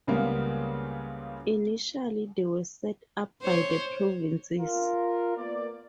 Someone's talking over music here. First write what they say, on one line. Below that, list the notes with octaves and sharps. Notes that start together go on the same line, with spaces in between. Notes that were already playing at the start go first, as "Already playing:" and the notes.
Initially they were set up by the Provinces.
C#2 C#3 G3 A#3 B3
C5 C#5
F4 A#4
A#3 B3 D5